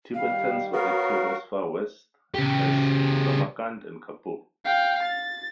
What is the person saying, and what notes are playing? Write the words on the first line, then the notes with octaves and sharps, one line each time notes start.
Tibetans were active as far west as Samarkand and Kabul.
D#3 G3 F5
B3 F#4 A#4 C#5 F5
C#3 G4
F5 G5
A6